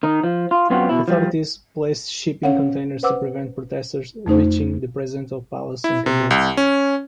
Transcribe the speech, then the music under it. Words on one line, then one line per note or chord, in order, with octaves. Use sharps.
Authorities placed shipping containers to prevent protestors reaching the presidential palace in Kabul.
D#3 D#4
F3
F4
F#2 B3 C4 F4 F#4
B2 E4
F3 G3
C#4 C#5 F5 F#5
B4 C5 F#5 D6 E6
F2 A3 D#4 C5
E4
C3
C2
C#4